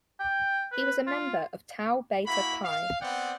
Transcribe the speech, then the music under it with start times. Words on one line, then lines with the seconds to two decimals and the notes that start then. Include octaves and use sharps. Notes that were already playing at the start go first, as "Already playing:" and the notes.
He was a member of Tau Beta Pi.
0.20 G5
0.72 B4
1.07 F4
2.26 A#3 E4 F#4 B5
2.63 F5
3.01 B3 C4 D5 F#5 G5